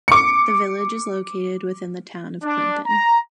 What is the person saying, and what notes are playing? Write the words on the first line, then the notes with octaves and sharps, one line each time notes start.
The village is located within the town of Clinton.
D6 C#7
D4
A#5